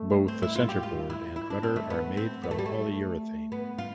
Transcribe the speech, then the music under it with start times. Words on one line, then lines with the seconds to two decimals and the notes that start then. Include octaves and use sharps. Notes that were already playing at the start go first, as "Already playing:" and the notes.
Both the centerboard and rudder are made from polyurethane.
Already playing: A3
0.28 C4
0.43 E4
0.56 F4
0.69 G4
0.83 F4
1.10 E4
1.36 E4
1.50 D4
1.63 C4
1.76 A3
1.90 B3
2.17 C4
2.43 B3
2.51 A3
2.59 G3
2.66 A3
3.52 B3
3.78 F4